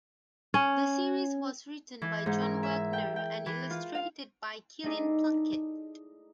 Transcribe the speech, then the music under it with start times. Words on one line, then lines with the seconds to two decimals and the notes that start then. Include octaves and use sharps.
The series was written by John Wagner and illustrated by Kilian Plunkett.
0.54 C#4
2.02 E3
2.26 G#2
2.42 A#4
2.63 E5
2.93 G5
3.16 G5
3.46 E3
3.70 F4
3.95 F5
4.83 A3 D#4 E4 G#4 D5